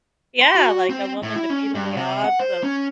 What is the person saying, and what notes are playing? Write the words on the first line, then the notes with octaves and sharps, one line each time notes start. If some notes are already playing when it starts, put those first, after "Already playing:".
Yeah. Like, a woman defeating the odds of,
C6
F#4
C4
A2
E4
C#4
G2
C3
F#5
C5
C#4